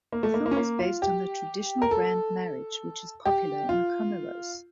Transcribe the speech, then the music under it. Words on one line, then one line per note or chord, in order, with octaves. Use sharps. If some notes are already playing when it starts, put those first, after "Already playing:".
The film is based on the traditional grand marriage which is popular in Comoros.
A#3
A3
A#3
A#3
C#4
A#3
F4
G4
A#4
A4
G4
F4